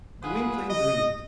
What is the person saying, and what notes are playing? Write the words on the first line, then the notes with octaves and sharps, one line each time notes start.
Gwynplaine dreamed.
B3 F4 G#4 B4
D#5